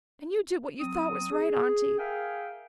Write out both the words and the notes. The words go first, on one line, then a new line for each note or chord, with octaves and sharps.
And you did what you thought was right, Auntie.
F#3 C4 D#6
G#4
G#4 A#4 E5 F5 G5 G#5